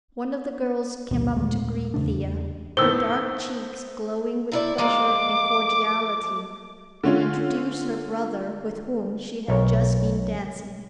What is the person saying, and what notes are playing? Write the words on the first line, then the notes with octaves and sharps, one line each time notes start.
One of the girls came up to greet Thea, her dark cheeks glowing with pleasure and cordiality, and introduced her brother, with whom she had just been dancing.
A1 D2 G2 B2
D#2 A#2 G#3 A3
E2 C#3 A3 D4
A2 D#3 B3 C5 E6 G7
C3 E4 D5
F3 G#3 A#3 D6
D3 C#4 F4
B1 A#4 C#5